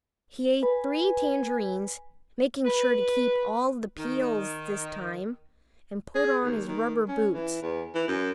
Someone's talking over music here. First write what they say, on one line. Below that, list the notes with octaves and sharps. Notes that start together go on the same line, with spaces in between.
He ate three tangerines, making sure to keep all the peels this time, and put on his rubber boots.
B4 G#5
B4
D#3
G#4
D#2
D#3
C#4
E3
E2
E3
F#2